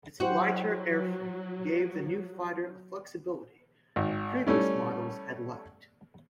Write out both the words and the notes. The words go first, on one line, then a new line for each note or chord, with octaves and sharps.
Its lighter airframe gave the new fighter a flexibility that previous models had lacked.
F#3 E4 F#4 G4 C5
G#1
G3 A3 C#4 E4